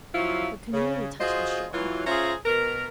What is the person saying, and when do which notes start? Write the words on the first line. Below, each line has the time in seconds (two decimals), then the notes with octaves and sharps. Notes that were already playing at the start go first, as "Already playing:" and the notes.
The canoe touched the shore.
0.14 F3 F#3 C#4 E4 F4
0.73 C#3
1.20 F4 F#4 G#4 C5 D#5
1.73 E3 F#3 F4
2.06 C#4 F4 G#4 C5 E5 A#5
2.46 B2 A#4